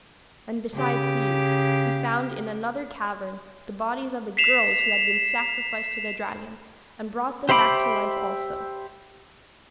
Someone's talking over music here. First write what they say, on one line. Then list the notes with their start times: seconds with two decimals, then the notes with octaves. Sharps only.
And, besides these, he found in another cavern the bodies of the girls who had been sacrificed to the dragon, and brought them back to life also.
0.75 C#3 G4
4.37 B6 C7 E7 F7
7.49 G4 C5 E5 B5 D6